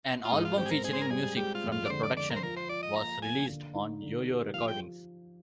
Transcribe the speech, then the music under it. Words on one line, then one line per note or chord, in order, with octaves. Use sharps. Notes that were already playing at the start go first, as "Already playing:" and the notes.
An album featuring music from the production was released on Yoyo Recordings.
F4
G#2 D#4
F4
C4 G4
G#4
A#4
C4 G#4
C5
A#4
G3 G#4
G#3 G4
F4
F2
F4
D5
D3 C5
D5
D3 D5
A#4
C5
F3 A#4
C5
F4 D5
D#5
A#3 A#5
A#3 G#5
D3
D#4
D3
G4
F3 F5
G5